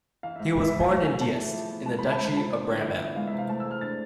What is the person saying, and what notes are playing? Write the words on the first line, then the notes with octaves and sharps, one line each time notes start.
He was born in Diest, in the Duchy of Brabant.
E3 F5
G#2 E5
G#3 E5
G#2
G#5
A3 F5
G#4 G#5
E4 A5
E3
F3
B3
G#3 A5
C3 B5
A5
G#3
B5
F4 A5
B3
D3
E3
B3
G#3 F5
E5
C3
F5
A3 A5
E6
G#4
F6
D4 A6